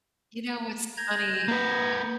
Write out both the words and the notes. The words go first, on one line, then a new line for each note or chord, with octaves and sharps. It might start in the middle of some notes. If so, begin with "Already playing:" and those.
You know what's funny?
A#5 G6 G#6
A#3 B4